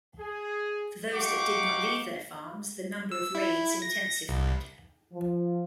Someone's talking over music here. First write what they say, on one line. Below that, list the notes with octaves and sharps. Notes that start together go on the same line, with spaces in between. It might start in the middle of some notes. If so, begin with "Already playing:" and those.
For those that did not leave their farms, the number of raids intensified.
G#4
D#4 G4 F5 F#5 C#6 D6
E6
E4
A#6
C2
F3